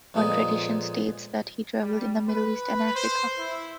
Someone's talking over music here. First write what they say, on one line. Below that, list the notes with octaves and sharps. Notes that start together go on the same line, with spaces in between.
One tradition states that he traveled in the Middle East and Africa.
F2 A#2 G#3 B3 G#4
G3
B4
C5
E4